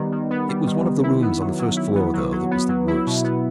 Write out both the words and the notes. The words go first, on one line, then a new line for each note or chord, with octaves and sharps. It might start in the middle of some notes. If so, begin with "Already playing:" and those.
It was one of the rooms on the first floor, though, that was the worst.
Already playing: D#3 G3 B3
D#3
B3
G3
D#3
D#3
E4
B3
F#3
F#3
E4
B3
F#3
F#3
B3
F#3
E4
B2
B3